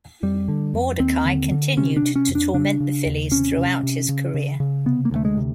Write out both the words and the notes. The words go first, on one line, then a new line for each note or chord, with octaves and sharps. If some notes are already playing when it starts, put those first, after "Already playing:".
Mordecai continued to torment the Phillies throughout his career.
F2 G3
D3
F2
D#2 C4
D3
D3
C3 C#4
D4
C3
C#4
F2
D4
C#3 D4
C#3
D#2
C3 C#4
C3
C3
C#3
C#3
C#3
C3 B3
A#3
D2 A3
G#3
C3